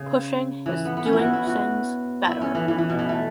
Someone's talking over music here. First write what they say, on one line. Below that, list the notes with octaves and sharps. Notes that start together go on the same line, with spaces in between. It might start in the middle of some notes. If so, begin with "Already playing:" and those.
Pushing is doing things better.
Already playing: C#3
E3
B3
B3
C#4
E4
F#4
E4
F#4
E4
C#4
E3
E3
E3
B2
E3
A3